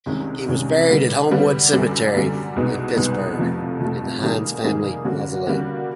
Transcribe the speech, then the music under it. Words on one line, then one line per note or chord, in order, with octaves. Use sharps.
He was buried at Homewood Cemetery in Pittsburgh, in the Heinz Family Mausoleum.
C2 C3 D#3 G#3 C#4
C2 C3 D#3 G#3 C#4
D3 G3 B3
D3 G3 B3
F#2 D3 G3
F#2 D3 G3
C2 B2 G#3 B3 D#4
C2 B2 G#3 B3 D#4
F2 C3 F3 A3
F2 C3 F3 A3
D#3 G3 A#3 D#4 G#4
D#3 G3 A#3 D#4 G#4
D3 G3 A#3 C#4 F#4
D3 G3 A#3 C#4 F#4